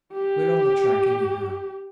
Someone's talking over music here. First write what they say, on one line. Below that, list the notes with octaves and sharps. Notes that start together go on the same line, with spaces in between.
We're on the track anyhow.
G4